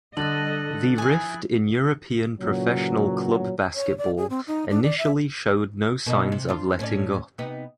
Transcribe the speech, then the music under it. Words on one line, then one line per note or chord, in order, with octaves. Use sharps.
The rift in European professional club basketball initially showed no signs of letting up.
D3 G3 A4 D#5 F#6 A6 F#7
F3 E4 G#4 G#5 D#6
A#2 C#3 E3 F#3
C#5
D5
G#4
C4
D#4
D4
D5
E5
B2 A#3 D#4
C3
D4 F4
A2 C#4 D5
C3 B3 D#4